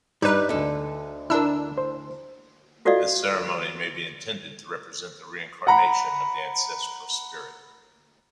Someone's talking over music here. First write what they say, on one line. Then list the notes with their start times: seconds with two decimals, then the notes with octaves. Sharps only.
This ceremony may be intended to represent the reincarnation of the ancestral spirit.
0.22 G2 G3 D#4 B4
0.49 D2 D3 A4 D#5
1.30 D4 E4 A#4 E6
1.78 C5
2.85 F4 F#4 A4 D5 D#5 F5
5.67 F#5 A#5 B5